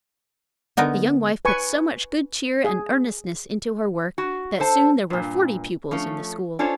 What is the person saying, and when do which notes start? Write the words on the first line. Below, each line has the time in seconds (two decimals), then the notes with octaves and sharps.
The young wife put so much good cheer and earnestness into her work, that soon there were forty pupils in the school.
0.77 D3 B3 D#4 A#4
1.45 B4 G#5 C#6
2.64 G#4
4.18 F#4
4.60 A4 C5 A5
5.10 G2 A#2
5.91 F3 A3 C#4
6.59 C#4 D4 F4 A4 C5 C#5